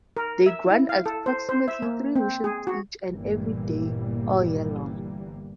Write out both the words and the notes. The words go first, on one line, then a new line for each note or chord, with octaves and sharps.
They grant approximately three wishes each and every day, all year long.
A#4
E5
E4
F5
A4
C5
C5
E5
A#3
C4
G#4
F#4
G1 A#2 E3 G3 A#3